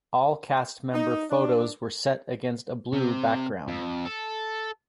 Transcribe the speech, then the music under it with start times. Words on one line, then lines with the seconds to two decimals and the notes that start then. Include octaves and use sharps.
All cast member photos were set against a blue background.
0.94 D#4
1.30 D4
2.93 C3
3.68 F2
4.06 A4